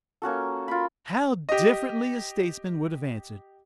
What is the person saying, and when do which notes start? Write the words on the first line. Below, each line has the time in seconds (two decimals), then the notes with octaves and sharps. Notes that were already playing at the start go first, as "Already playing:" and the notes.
How differently a statesman would have answered!
0.22 A#3 C#4 F#4 A4
0.68 F4 A#4 B5
1.49 G4 D#5